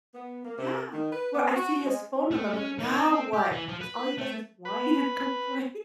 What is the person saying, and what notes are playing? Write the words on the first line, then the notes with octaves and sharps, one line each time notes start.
yeah, where I see his phone number, I'm like, "Now what?" Because all he does is whine and complain.
B3
A#3
C3
D#3
B4
B3
F#4
G#3
A3
C#4
D#3
C4
G4
E3
F3
B4
A3
B4